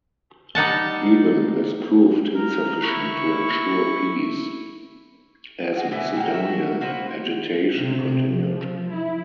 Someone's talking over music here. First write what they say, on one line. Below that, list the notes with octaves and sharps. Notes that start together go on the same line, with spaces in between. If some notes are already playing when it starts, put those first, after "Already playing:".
Even this proved insufficient to ensure peace, as Macedonian agitation continued.
G3 D#4 F#5 A5
A#4
E4 C#6
F#4 G#4
E3 B3 E4
D#3 F#4
F#4 E5
A#3 F#4 B4 C5
C3
F3
E4